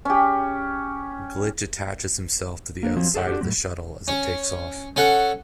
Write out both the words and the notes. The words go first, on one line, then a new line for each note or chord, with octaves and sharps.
Glitch attaches himself to the outside of the shuttle as it takes off.
C#4 G4
A#3 D4
F3 F#3 C4
G#4 A4 C#5 F#5 G5
D4 F#4 G4
A2 F#3 C4
C#4
C#4 A4 F#5